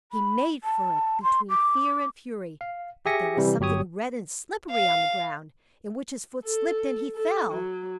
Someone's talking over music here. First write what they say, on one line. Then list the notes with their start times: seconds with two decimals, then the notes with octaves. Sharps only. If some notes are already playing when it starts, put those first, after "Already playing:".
He made for it between fear and fury, but there was something red and slippery on the ground, in which his foot slipped, and he fell.
0.12 B5
0.64 A5
1.23 C6
1.50 D6
2.61 F5
3.06 G4 G#4 E5 G#5 A#6 C#7
3.37 C3 E3 G3
3.60 G1 F#3 G4 C#5 D#6
4.71 F5
6.45 A4
7.15 A4
7.51 F#3